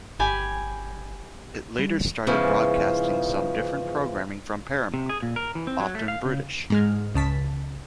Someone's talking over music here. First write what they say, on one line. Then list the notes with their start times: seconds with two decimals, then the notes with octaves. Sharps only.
It later started broadcasting some different programming from Paramount, often British.
0.19 G1 G4 G#5 B5
1.79 G3
2.27 E2 G#2 C#3 E3 F3
4.94 C3
5.09 G#4
5.23 A#2
5.36 A#4
5.55 E3
5.67 C4
5.80 F#3
5.95 A3
6.08 F5
6.25 C#3
6.70 G#2 G#3 F6
7.14 C#2 C#3 A5 B6